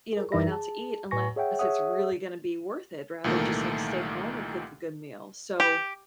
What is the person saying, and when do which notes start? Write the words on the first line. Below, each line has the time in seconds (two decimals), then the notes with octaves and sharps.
you know, going out to eat unless it's really gonna be worth it, rather just, like, stay home and cook a good meal, so,
0.13 G#4 A#4
0.32 F#2 E3 D#4 A#4 E5 A#6
0.48 G#4 A5
1.11 A2 B4 G#5 C#6 A#6
1.36 G#4 C#5 E5 F#5 G5
1.59 G#4 C#5 E5 F#5 D#6
3.24 C2 A#2 D#3 E3 A3 A#3
5.60 G4